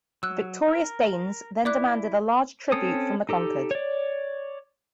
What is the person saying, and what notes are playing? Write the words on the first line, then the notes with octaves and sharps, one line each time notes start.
The victorious Danes then demanded a large tribute from the conquered.
F#3 E6 F#6
A#4
E4 D5 D6 F#6
C4 C#4 A4 D#6
D#4 G4 A4
C#5 D5